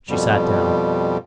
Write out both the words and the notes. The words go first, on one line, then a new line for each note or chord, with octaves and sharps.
She sat down.
F2 B2 G3